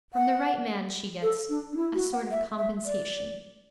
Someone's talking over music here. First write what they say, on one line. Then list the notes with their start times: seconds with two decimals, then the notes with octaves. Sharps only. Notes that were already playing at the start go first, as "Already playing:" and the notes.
'From the right man she gets--a sort of compensation.'
0.14 F#5
1.22 A4
1.49 D4
1.73 D4
1.77 E4
1.94 F#4
2.13 F#5
2.31 E5
2.58 E5
2.85 D5